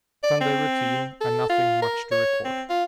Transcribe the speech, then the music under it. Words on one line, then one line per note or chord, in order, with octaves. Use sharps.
Sunday routine and nothing much to record.
D5
C4
A4
F4
A#4
C#5
C4
F4